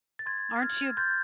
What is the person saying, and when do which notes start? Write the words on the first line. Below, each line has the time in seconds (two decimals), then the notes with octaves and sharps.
Aren't you
0.19 A6
0.26 C6 G#6
0.62 F6 G#6
0.97 C6 G6 A6